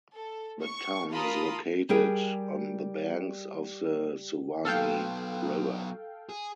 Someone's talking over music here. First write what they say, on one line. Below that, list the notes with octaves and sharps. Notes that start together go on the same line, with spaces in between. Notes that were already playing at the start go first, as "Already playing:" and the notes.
The town is located on the banks of the Suwannee River.
A4
C#6
F4 A#4 A5 B5 D#6
G3 G4 G#4 A#4 G5
F#3 B3 A4 F5 G5
G#4